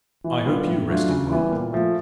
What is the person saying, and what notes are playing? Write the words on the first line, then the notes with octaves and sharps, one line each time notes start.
I hope you rested well.
E3
G3 B3 D4 F4
A2
F#3 A3 D4 F4
C#3
E3 G3 B3 E4
A#2
F3 A3